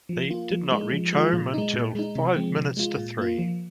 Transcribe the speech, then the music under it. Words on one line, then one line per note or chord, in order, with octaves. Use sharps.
They did not reach home until five minutes to three.
F3
A#3 F4
F3
G#3 D#4
F3
G#3 F4
A#2
G#3 D#4
A#2
G#3 D#4
C3
F3 G#3 C4
C3
G#3 F4
A#2
A#3 F4
F3